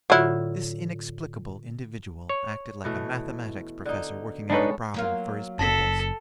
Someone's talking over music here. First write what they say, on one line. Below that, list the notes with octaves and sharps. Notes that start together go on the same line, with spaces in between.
This inexplicable individual acted like a mathematics professor working out a problem for his pupils.
A2 D3 F#3 E4 F4
C#5
B2 E3 A3
D3 D#4
G#3 B3 D4 D#4 A4 B4 C#5
F#3 A#3 F4
F#1 A4 A5 A#6 B6